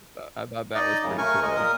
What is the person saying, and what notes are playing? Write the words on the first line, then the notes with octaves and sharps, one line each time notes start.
Uh, I thought that was pretty cool.
D#4 D5 D#5
F#2 C#3
A3 A#4 G#5 C#6
G#3 D#5
A#2 A#4 D#6